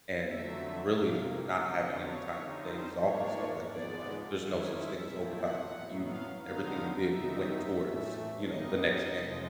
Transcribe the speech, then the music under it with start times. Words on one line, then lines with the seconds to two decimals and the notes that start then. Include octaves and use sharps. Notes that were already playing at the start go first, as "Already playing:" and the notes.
and really not having any time of days off and stuff like that, like, there's no such thing as overtime, like you everything you did went towards, you know, the next game.
0.28 F2 D3 F#3 A3 E5
0.96 C3 F3 A#3 F5
1.64 D3 F#3 B3 D4 D#5
1.98 C#5
2.32 D3 G3 C4 D#4
2.65 C5
3.00 G#2 F3 A#3 D4 C#5
3.68 G#2 F3 G#3 B3 D5
4.36 D#3 G#3 C#4 E4
4.70 E5
5.03 A#2 F3 A3 C4 E4
5.37 F#5
5.72 A2 F#3 B3
6.05 F5
6.40 D3 F#3 B3 D#4 F5
7.07 C3 D#3 F#3 B3 D#4 E5
7.75 A2 E3 A3
8.43 A#2 G3 B3 D#4 D#5
9.12 F2 C3 F3 G#3